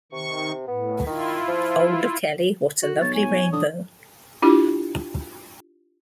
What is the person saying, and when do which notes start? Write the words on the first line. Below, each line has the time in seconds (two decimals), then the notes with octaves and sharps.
Oh, look, Ellie, what a lovely rainbow!
0.12 C3 D#3 C#6
0.67 A2 B3
1.06 D#3 E4 F4
1.48 F3
2.83 F#4
3.01 B1 C#5 A6
3.15 G#5
3.53 D3 D#6
4.42 D4 E4 F4 G4